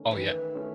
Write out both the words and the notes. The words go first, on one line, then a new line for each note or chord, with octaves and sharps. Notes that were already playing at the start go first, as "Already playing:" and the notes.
Oh yeah.
Already playing: D#3 A3 C#4
D#3 E3
A3 C#4